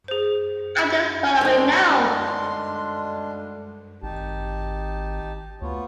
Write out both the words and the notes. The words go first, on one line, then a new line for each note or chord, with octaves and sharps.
I’ve just thought of it now.
G#4 C5
D2 G3 G#3 D4 D#4 C#5 C6
G#1 D#4 G4 A5
D2 B3 F4 C#5